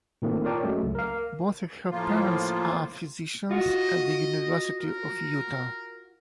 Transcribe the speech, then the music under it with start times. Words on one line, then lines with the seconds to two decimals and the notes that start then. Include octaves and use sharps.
Both of her parents are physicians at the University of Utah.
0.22 A#2 D#3 A3 A#3 C4
0.44 F4 A#4 C#5 D5 G5 A5
0.63 F#3 G#3 A3 C#4
0.83 C#2
0.95 A#4 F5
1.90 A2 F3 A#3 F4
3.51 F4 F#4 D#5
4.80 A#4